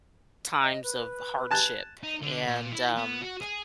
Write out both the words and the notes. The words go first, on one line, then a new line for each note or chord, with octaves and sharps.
times of hardship, and, um,
D#5
B4
G#5 A5 F#6
D#4
D3
A#2
E4
B3
F#4
G#4